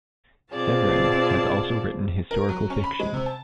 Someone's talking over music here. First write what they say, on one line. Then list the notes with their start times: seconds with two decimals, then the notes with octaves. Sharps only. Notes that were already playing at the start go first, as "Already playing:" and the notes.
Severin has also written historical fiction.
0.52 B2 C4 F4 G#4 D5 A5
2.31 A#4
2.49 F#3
2.70 C#4
2.84 B5
3.00 G#3
3.14 C3
3.26 A5